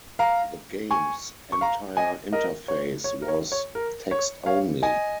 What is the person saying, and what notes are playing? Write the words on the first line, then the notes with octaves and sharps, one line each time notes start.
The game's entire interface was text-only.
F5 A#5
G#5 C#6
C#6
F5 A#5
D#5 G#5
A#4 D#5
C#5
C#5
A#4
C#5
C#5
A#4
C#5
C#5 F5
D#5 G#5